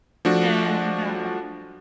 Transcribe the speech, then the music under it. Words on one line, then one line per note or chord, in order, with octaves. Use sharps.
And, uh,
F3 A3 D4 F#4